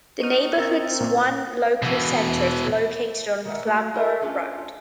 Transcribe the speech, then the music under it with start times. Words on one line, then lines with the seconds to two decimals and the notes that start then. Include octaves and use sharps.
The neighbourhood's one local centre is located on Flamborough Road.
0.21 D#4 D#5 C#6 F6 D#7
0.58 C4 A#4 E6 A6
1.00 A#2 A#3 A4
1.82 B2 E3
3.45 D#3 G#3 A4 A#4 E5 F#5
3.65 A3 A#3 F#4
3.94 E4 F#4 G#4 A#4 D#5
4.21 C#4 D4 F4 A4 G#5